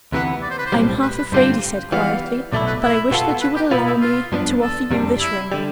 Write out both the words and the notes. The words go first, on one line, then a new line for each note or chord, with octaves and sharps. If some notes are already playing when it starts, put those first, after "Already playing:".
"I am half afraid," he said, quietly; "but I wish that you would allow me to offer you this ring."
D2 C3 E3 B3 B4
D5
C5
B4
C5
B1 A2 G3 C4
B4
B4
G2 D3 G3 C4 F4 C5
E3 G3 B3 F5
B1 B2 A3 E4 D5
B4
E4
B2 B3 F4 A4
B4
G4
B2 B3 E4 F4 B4
E4
F4
G2 F3 B3 D4
A4
F2 C3 G3 D4
E4
D3 G3